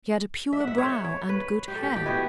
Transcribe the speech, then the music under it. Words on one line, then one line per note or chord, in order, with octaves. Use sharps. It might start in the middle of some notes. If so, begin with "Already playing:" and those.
She had a pure brow and good hair.
E5
F#5
E5
C#5
C#5
B4
G4
A4
G4
G4
E3 B3 E4 F#4